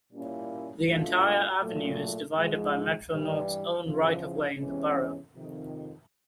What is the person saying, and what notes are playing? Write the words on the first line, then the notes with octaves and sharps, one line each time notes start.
The entire avenue is divided by Metro-North's own right of way in the borough.
A#2 G3 A#3 C#4 E4
B2 F#3 A3 D4 F4
A#2 F#3 A3
G#2 F3 G#3
G2 E3 G3
E2 C#3 F3
E2 C3 E3 G#3 C#4
F2 C3 D#3